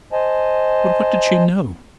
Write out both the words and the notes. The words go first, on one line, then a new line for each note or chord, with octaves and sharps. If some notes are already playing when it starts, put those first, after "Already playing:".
"But what did she know?"
C5 D#5 G#5 A5